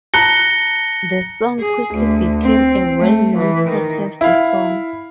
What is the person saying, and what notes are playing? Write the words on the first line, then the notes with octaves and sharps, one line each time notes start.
The song quickly became a well-known protest song.
A5 A#5 F#6 A#6 C#7 G7
G#4
D2
C4
A3
E3
D#3
E4 F5